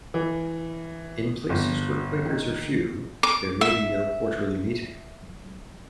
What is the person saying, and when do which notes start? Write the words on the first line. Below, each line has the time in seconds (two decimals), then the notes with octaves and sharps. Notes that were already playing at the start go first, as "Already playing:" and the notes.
In places where Quakers are few, there may be no Quarterly meeting.
0.14 E3
1.49 G1
2.26 D#3
3.23 D6
3.61 E5